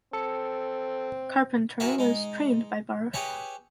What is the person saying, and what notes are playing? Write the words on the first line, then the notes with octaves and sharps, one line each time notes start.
Carpenter was trained by Barth.
C4 A4 C#7
E4 F#4 G#4 A#4 B4 E5
G#3 D#4
G4 G#4 B4 C#5 E5